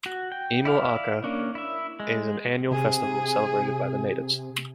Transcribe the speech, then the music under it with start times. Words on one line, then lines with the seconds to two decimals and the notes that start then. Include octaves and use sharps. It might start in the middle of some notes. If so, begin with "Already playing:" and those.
Imo-Awka is an annual festival celebrated by the natives.
0.06 F#4
0.32 G5
0.65 E4 D5 F5
1.24 A#3 C#4 D4
1.55 E4 E5
2.00 G#3
2.71 C3 G#4